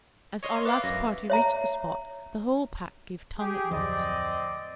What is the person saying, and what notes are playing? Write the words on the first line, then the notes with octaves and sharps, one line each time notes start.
As Arlac's party reached the spot, the whole pack gave tongue at once.
C#5 D#5 C6
B4 E5 F5 D6 A6
F#2 A#6
C#5 E5 A#5
G4 G#4
D1 F2 C4 D5 D#5